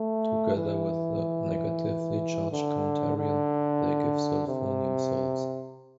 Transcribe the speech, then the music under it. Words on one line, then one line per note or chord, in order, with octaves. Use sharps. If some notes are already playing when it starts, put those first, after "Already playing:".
Together with a negatively charged counterion, they give sulfonium salts.
Already playing: A3
E3
D3
D3
C3